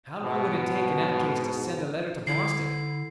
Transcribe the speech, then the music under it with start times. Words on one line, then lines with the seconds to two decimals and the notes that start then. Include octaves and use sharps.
How long would it take, in that case, to send a letter to Boston?
0.23 G#2 B2
2.27 D3 E4 C7